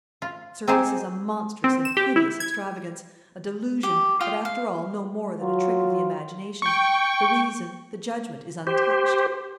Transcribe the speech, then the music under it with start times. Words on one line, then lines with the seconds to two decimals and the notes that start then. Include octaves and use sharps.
Sir, this is a monstrous and hideous extravagance, a delusion, but, after all, no more than a trick of the imagination; the reason, the judgment, is untouched.
0.22 F4
0.67 C4 D#4 G4 G#4 C5
1.64 C4
1.85 E7
1.97 G4
2.16 E4
2.40 G#6
3.83 G4
4.20 F4 F5 G5 D#6
4.45 F5
5.41 F#3 F4
6.62 G5 C#6
8.67 G4 C5